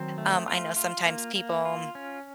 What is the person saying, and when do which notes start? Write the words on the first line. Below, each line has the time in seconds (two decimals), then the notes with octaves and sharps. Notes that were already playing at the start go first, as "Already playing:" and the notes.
um, I know sometimes people,
Already playing: D#3 F#3 C4
0.18 A3
0.48 F4
0.76 F4
1.05 A#3
1.35 A#3
1.65 F4
1.95 C#4